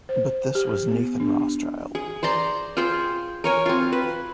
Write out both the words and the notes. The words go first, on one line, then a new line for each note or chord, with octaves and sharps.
But this was Nathan Rothschild.
C5
G4
B3
D4
G#4
C5 D5 A#5 C6
F4 G#4 C5 G5
A#4 C#5 G#5
C4 F4
B4